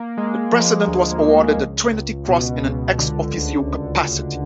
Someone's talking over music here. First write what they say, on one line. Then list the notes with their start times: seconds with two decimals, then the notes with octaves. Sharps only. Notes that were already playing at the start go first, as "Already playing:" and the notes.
The President was awarded the Trinity Cross in an "ex officio" capacity.
Already playing: A#3
0.17 G#3
0.53 F3
0.87 D2
1.23 F3
1.57 C#2
1.92 C#2
2.27 B2
2.62 C#2
2.98 D3
3.32 D2
3.67 D2